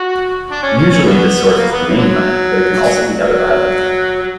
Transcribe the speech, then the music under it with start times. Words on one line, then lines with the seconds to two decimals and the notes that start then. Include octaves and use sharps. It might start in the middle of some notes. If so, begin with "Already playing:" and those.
Usually this source is the mainland, but it can also be other islands.
Already playing: F#4
0.50 D4
0.63 C#4
0.77 C#4
0.90 C#4
1.04 E3 G3 B3
1.58 A#3
1.72 B3
1.86 E3
1.98 D3 F#3
3.20 F#3
4.21 F#3